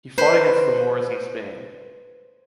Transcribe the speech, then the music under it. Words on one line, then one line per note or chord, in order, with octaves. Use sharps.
He fought against the Moors in Spain.
B4 C5